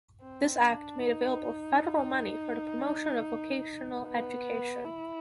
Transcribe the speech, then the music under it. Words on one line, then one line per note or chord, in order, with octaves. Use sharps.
This act made available federal money for the promotion of vocational education.
C4
D4
D#4
B3
E4